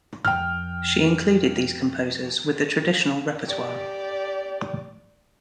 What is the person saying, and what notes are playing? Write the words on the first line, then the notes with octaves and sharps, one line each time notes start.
She included these composers with the traditional repertoire.
F2 G5 F6
G4 D5